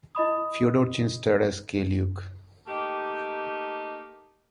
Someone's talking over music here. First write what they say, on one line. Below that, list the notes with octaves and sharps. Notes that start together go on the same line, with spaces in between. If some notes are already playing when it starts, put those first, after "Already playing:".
Feodor Chin starred as Keye Luke.
E4 D#5 B5 D#6
A3 A#3 D#4 G4